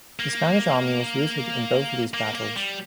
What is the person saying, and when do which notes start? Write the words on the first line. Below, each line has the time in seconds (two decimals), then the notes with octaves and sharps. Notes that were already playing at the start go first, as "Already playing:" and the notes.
The Spanish Army was routed in both of these battles.
0.19 A#3
2.14 A#3
2.35 A#3
2.57 G3